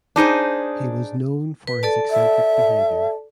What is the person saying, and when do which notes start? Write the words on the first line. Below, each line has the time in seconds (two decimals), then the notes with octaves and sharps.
He was known for his eccentric behavior.
0.16 D4 D#4 G#4 C5
1.67 B4
1.83 A4 D5 A5
2.10 E5